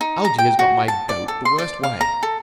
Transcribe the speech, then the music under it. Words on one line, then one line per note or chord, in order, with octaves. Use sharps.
Algie has got my goat the worst way.
D#4
A#5
G5
F#4
A5
D5
A4
C6
D5
F5
A#5
A4